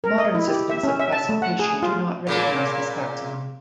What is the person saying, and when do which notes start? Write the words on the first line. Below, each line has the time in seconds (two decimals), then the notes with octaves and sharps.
Modern systems of classification do not recognize this taxon.
0.04 A#4
0.18 D#5
0.35 E4
0.48 G4
0.70 E5
0.84 C#4
1.00 E5
1.12 A5
1.29 A3
1.42 F#5
1.59 G#4
1.83 F4
2.27 A#2 C#3 A#3